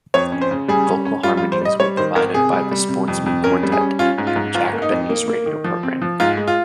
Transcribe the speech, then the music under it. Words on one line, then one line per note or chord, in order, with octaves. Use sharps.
Vocal harmonies were provided by The Sportsmen Quartet, from Jack Benny's radio program.
F2 C#5
C#4
C5
C#3
G3 G#4
C#4
C#4
G3 F4
F4
G3
C5
G3 D#5
G3 C#5
D#3 C5
G#1 A#4
C3 G#4
G3
G3
C3
F2
F2
C#4 A#4
G3
G#4
C#4
C#4 F4
G#2
F4
G#2
G1 F4
A#3
D#4
F2
A#3
A#3
D#3
F3
C4
F3
G#2 F4
G#3
F4